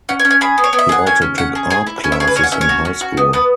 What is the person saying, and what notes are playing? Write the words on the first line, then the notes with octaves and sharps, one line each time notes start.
He also took art classes in high school.
C#4 F#5
G#5
C#4
G#5
G#4 B5
B3
C#5
B3
E5
G#4 F#5
C#4 G#5
C#4
C#4 F#5
G#4
G#4 G#5
E4
C#4 G#5
E5
G#4 C#5
B4
C#4 C#5
F#5
C#4 E5
C#5
F#4
C#4
F#4
B3
B3 B4